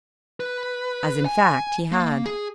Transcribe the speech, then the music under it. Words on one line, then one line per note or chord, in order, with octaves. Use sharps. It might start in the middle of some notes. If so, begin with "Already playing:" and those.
As, in fact, he had.
B4
G#5
A#3
G#4